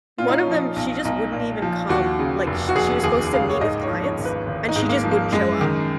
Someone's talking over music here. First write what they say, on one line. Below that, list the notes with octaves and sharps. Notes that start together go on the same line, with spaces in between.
One of them, she just wouldn't even come. Like, sh she was supposed to meet with clients, and she just wouldn't show up.
A#2 F4
D#4
C#4
F3 D#4
B1
B1 D#4
A#2
F3
D#2 F#4
C#3
F1
F#4
F1 G#4
D#2 G#4
C#3 F5
C#5
G#2 D#5
C#5
F3
C#5
G#1
B4
G#1
D#4
G#2
G#3
A#3
F3
A#3
F#2 G#3
D#3